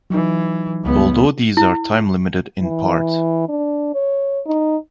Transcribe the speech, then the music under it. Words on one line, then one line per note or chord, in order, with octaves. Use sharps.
Although these are time limited in part.
E3 F#3 D#4
C#2 B3
E4
E3
D4
C#5
D#4